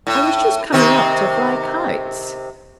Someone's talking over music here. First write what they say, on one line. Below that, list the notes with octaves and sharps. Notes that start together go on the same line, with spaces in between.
"I was just coming up to fly kites."
A2
C3 D#3 C4